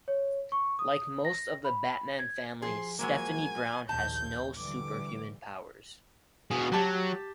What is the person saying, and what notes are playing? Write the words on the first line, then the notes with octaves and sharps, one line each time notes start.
Like most of the Batman family, Stephanie Brown has no superhuman powers.
C#5
C#6
D#6
A#6
B5
G#6
F3 G#4 C6
F#3 G#3 A#3 G#5
A#1 D#2 A5 G6
D3 E3 G3 D6
B2 G#4
F#3 G4 A5